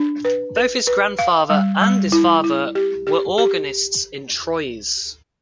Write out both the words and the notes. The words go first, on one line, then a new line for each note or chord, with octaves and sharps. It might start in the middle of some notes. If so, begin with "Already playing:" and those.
Both his grandfather and his father were organists in Troyes.
Already playing: D4
B4
B4
B4
F5
G3
G3
E4
E4
G4
G4
G4